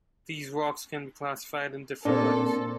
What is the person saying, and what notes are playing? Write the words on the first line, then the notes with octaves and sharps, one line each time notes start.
These rocks can be classified in different ways.
A#2 C4 D4 A4